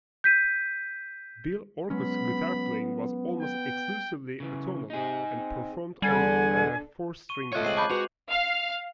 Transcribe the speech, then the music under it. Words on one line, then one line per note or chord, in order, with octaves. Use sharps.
Bill Orcutt's guitar playing was almost exclusively atonal, and performed on a four-string guitar.
G6 B6 D#7
F#3 G#3 B3 C#4 B5
G5
C#3 E3
C3 D#4 G#4
C4
E2 D3 G3 D4 A4 F#5 G#5
C#6 D#7
A3 F4 C#5 D#5 F#5 F#6 G#6
G#3 C4 C7 D#7 F#7
A5 B5 D6 G6
G#3 F#4 B4 F7
F5